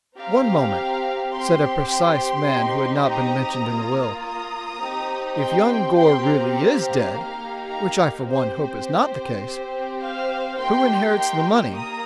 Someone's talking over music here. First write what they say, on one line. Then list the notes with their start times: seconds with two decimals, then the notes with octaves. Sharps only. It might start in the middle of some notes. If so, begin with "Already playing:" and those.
"One moment," said a precise man who had not been mentioned in the will. "If young Gore really is dead--which I for one, hope is not the case--who inherits the money?"
0.17 C4 G4 F5 A#5
1.32 C4 G4 G5 C6
1.91 G5 C6
2.48 C4 D#4 G4
3.06 A#5 D#6
3.64 A#3 F4
4.22 A#5 D#6
4.80 C4 D#4 G4
5.38 G5 C6
5.95 C4 G4 G5 C6
6.24 F5 A#5
7.11 A#3 D#4 G4
7.69 F5 A#5
8.27 C4 G4 C5
8.56 C5
9.43 C4 G4
10.01 C5 F5
10.58 A#3 D#4 G4 G5 C6
11.16 G5 C6
11.74 A#3 A#5 D#6